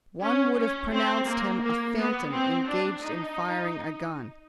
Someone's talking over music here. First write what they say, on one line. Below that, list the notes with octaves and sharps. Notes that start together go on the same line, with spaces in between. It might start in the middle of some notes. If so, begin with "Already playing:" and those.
One would have pronounced him a phantom engaged in firing a gun.
C#4
C#4
C4
A#3
A#3
B3
C4
D4
D#4